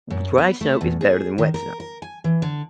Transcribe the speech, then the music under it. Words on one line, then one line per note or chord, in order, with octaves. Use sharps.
D dry snow is better than wet snow.
F#2
B3
A3
E2
G#4
D#3
A#4
A#4
G#5
E3
D3